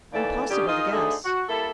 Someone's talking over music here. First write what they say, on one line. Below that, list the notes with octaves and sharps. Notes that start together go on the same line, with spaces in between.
Impossible to guess.
D#2 E3 A#3 E4 A4 D5
D3 G3 C#4 D#4 G4
D#4 F4 G#4 A#4 D#5
D2 D3 A3 D#4 G#4 E5
F#4
G3 A#3 E4 A4